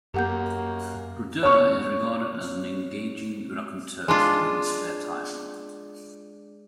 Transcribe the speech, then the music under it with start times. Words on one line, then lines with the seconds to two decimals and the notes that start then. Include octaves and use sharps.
Brodeur is regarded as an engaging raconteur in his spare time.
0.14 F#2 A#3 G4 F#5 G6
1.43 C#5 C#6
4.08 G#3 D4 F4